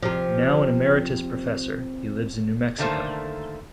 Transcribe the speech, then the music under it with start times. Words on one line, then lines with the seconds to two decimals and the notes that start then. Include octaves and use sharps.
Now an Emeritus Professor, he lives in New Mexico.
0.03 C3 F3
2.78 D3 D#3 A3 A#3 C5